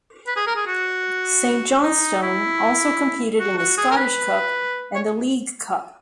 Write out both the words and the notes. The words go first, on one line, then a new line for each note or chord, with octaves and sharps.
St Johnstone also competed in the Scottish Cup and the League Cup.
B4
G#4
A#4
G#4
F#4
D#4
E4
F#4
F#4
G#4
A#4
B4
C#5